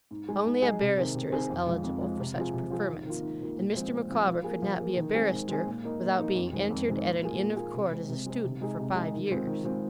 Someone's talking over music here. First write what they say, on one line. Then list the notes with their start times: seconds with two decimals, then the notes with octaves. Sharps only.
Only a barrister is eligible for such preferments; and Mr. Micawber could not be a barrister, without being entered at an inn of court as a student, for five years.'
0.11 G#2
0.28 G#3 D#4 G#4
0.45 G#2
0.62 G#3 D#4 G#4
0.80 C3
0.98 D#3 C4 G#4
1.14 C3
1.32 D#3 C4 G#4
1.50 F2
1.67 F3 G#3
1.84 F2
2.01 F3 G#3
2.19 C3
2.36 F3 C4 F4 G#4
2.54 C3
2.70 F3 C4 F4 G#4
2.88 G#2
3.05 D#3 A#3 F4
3.23 G#2
3.40 D#3 A#3 F4
3.57 A#2
3.74 F3 G#3 C4
3.92 A#2
4.10 F3 G#3 C4
4.27 F3
4.44 A#3 G#4
4.62 F3
4.79 A#3 G#4
4.97 D#3
5.14 G#3 C4 G#4
5.32 D#3
5.48 G#3 C4 G#4
5.66 A#2
5.84 A#3 D#4
6.01 A#2
6.18 A#3 D#4
6.35 F2
6.52 D#3 G#3 C4
6.70 F2
6.88 D#3 G#3 C4
7.04 A#2
7.22 A#3 F4 G#4
7.40 A#2
7.56 A#3 F4 G#4
7.73 C3
7.91 G#3 C4
8.08 C3
8.26 G#3 C4
8.43 C3
8.61 G#3 D#4 G#4
8.78 C3
8.95 G#3 D#4 G#4
9.13 D#3
9.31 G#3 C4 F4
9.47 D#3
9.64 G#3 C4 F4